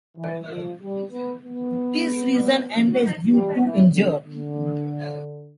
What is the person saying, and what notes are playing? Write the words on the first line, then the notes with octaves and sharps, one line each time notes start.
His season ended due to injury.
E3
F3
G3
B3
B3
G3
E3
D3
D3